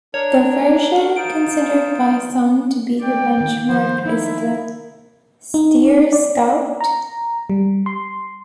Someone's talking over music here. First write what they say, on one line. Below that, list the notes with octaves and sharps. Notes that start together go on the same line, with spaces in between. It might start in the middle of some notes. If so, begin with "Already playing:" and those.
The version considered by some to be the benchmark is the Steyr Scout.
D4 A#4 C#5
D#4 F4 C5 D7
D5 G5
D#3 A#3
F3 C5
D#4 E4
D#4
D5
A#5
G3
C6